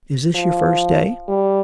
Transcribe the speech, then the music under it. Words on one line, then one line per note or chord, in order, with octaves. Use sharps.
Is this your first day?'
F3
G3